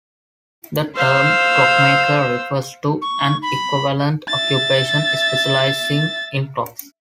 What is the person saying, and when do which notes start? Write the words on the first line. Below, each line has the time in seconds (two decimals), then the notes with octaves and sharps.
The term clockmaker refers to an equivalent occupation specializing in clocks.
0.96 C5 F5 E6
3.02 C#6
3.42 B5
4.28 E5 A6